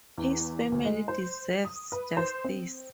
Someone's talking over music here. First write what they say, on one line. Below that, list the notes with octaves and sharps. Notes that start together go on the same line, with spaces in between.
His family deserves justice.
E2
D2
G#3
C5
D#6
B4
C5
C4